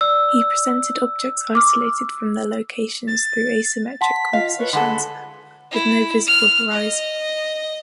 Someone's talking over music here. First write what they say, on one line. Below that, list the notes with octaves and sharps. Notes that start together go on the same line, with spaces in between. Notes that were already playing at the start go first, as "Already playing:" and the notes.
He presented objects isolated from their locations through asymmetric compositions with no visible horizon.
D5 E6
D6 F6
A6
F#5 A5 C6 B6
F4 D#5 F5
B4 C#5
D3 G#3 A4 F#5 B5
E4
F6
D#5